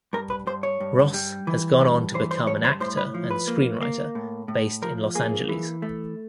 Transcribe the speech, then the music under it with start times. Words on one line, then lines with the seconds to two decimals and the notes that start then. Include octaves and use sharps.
Ross has gone on to become an actor and screenwriter, based in Los Angeles.
0.13 G2 A#4
0.30 B4
0.47 G2 C5
0.63 C#5
0.80 G2
1.14 G3
1.47 E3
1.81 G2
2.14 E3 C5
2.31 C5
2.47 G2 C#5
2.64 C5
2.80 A2 C5
2.97 B4
3.14 F3
3.31 B4
3.47 A#3
3.81 A#3
4.15 A2
4.48 A2
4.82 F3 A#4
5.15 A#3 G#4
5.49 E3
5.82 A3